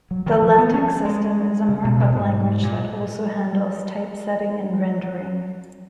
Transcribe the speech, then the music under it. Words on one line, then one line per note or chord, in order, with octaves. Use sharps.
The LaTeX system is a markup language that also handles typesetting and rendering.
F#3
D#3
F3
B3
C#4
G#3
C#3
B2
B2
G#2
A#2